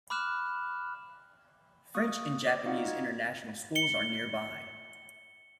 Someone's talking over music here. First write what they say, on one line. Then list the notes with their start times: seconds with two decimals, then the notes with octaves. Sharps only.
French and Japanese International Schools are nearby.
0.10 B5 D6 F6 F#6 E7
1.95 A#3 C#6 D#6 F#6
2.46 C5 D5 D6
2.66 D#4 F4 F#4 D#5 F5 F#5
2.88 G#6
3.75 C#7 G7